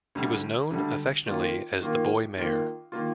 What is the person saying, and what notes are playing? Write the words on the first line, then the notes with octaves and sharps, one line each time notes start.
He was known affectionately as the "Boy Mayor".
D2 D3 G3
D2 D3 G3
D#3 A#3 F4
D#3 A#3 F4
D#3 A#3 F4
D#3 A#3 F4